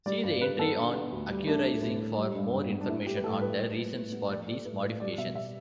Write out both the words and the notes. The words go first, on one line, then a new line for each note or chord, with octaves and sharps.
See the entry on accurizing for more information on the reasons for these modifications.
G3 D5
G2 D5
G2 B4
B3 A4
D3
B3
D2
G3
A3 D4
A3
A2
A2
G3
G2
G2
B3
D4
A3 E4
A3 G4
B4
A2 A4
A2 B4
G3
A2
A2
B3
A3 D5
A3 D5
A2 B4
A2 B4
G3 D5
B2 E5
B2 E5